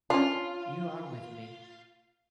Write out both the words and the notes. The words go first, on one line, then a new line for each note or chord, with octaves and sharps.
You are with me.
C#4 D4 F4